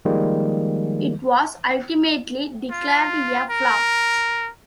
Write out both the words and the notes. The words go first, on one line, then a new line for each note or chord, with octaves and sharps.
It was ultimately declared a flop.
D#3 F3 G3 G#3 A#3
F4
A#4